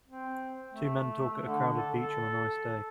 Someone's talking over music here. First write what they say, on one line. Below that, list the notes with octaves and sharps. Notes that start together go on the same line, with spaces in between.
Two men talk at a crowded beach on a nice day.
C4
A3
D3
A4
A4